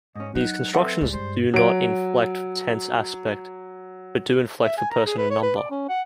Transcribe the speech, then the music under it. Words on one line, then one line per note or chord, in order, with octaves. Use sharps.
These constructions do not inflect for Tense-Aspect, but do inflect for person and number.
G#2 C#4 D#5
F#3 D#4 F#5
C4 A4 B4 E5 F#5
D2 G3 G#3
G2 C5
F#3 D7
E5
G#5
A#5
G#4
B4
C#5
B4
D5
C#4
F#5